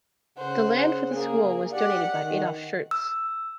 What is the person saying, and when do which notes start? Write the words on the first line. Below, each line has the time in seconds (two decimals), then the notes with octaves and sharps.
The land for the school was donated by Adolph Schertz.
0.38 C#3 C5 F#5
1.12 A#3 G#4
1.73 G4 D5 F#5
2.18 D#3
2.91 E6